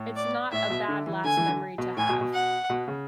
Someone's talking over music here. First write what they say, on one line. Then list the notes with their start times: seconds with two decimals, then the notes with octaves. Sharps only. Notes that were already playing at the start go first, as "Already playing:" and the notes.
It's not a bad last memory to have.
Already playing: A2
0.16 D5
0.52 A2 E5
0.70 B2
0.88 D3
1.07 E3
1.24 D3 G#5
1.37 E3
1.48 D3
1.78 B2
1.97 A2 G#5
2.09 B2
2.21 B2
2.34 F#5
2.70 B2
2.88 C#3